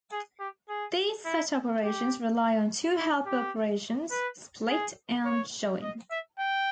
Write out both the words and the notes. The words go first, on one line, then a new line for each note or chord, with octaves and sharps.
These set operations rely on two helper operations, "Split" and "Join".
G#4
G4
G#4
E4
G4
E4
G4
B4
G#4
C#5
D#5
E5
G5